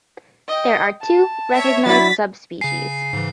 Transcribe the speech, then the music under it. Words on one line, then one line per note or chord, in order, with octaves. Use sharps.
There are two recognized subspecies.
D#5 G5
A5
C#5 E5
F#3 D4 E4 F#4 A6 B6
C#3 G#5 C7
G#2 C#3 E3